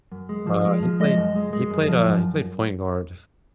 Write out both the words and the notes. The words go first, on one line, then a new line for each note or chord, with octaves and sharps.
Uh, he played he played, uh, he played point guard
F#2
G#3
F3
G#3
F3
G#3 D#5
F#2
G#3
G#3
F#2
F3
F#2